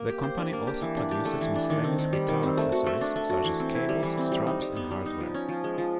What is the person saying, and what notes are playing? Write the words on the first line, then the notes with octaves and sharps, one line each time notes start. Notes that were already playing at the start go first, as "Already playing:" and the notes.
The company also produces miscellaneous guitar accessories, such as cables, straps and hardware.
Already playing: A#3
G4
C5
D4
A#3
G4
E3
D4
G4
A3
E3
D4
D#3
C4
D#3
G3
D#3
C4
A3
F#4
A3
D4
A3
F#4
E3
C4
E4
G3
E3
C4
G3
D#4
G3
B3
G3
D#4
F3
C#4
F3
G#3
F3